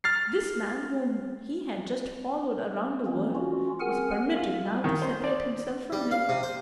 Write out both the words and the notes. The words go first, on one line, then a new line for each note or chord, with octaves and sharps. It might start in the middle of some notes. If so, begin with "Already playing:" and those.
This man, whom he had just followed around the world, was permitted now to separate himself from him!
F6 A6 C7
E3 A#3 C4 C#4
C#4 F4 F#4
C4 G#4 A#4 F#5 G#5 F6
F4
G3
D#3
C5
D5
G3
F5
C3
C5